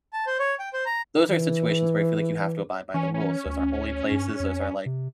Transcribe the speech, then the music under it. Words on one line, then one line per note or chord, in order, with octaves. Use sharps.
Those are situations where I feel like you have to abide by the rules. Those are holy places. Those are, like,
A5
C5
C#5
G5
C5
A#5
E3
E3 C#4
C#4
D2
G2
F2
C3